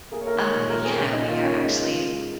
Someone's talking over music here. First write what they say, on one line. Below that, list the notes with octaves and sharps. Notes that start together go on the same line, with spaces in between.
Uh, yeah, we are actually
A#3 G#4
C#5
A#4
D#3
C#5
A#2 C#5
A#4
A#3
G#4
A#2 C#4
D#4
A#3
F4
C#3 C#4
D#4
G#3
F4
C#3
G#3